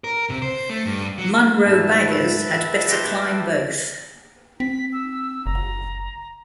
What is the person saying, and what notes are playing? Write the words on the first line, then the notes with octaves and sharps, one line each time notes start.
Munro baggers had better climb both.
A#4
C3
C5
A3
G2
F#3
G#2 B4 E5 A5
F#4 G4 C5
C4 B6
E6
F#1 A#5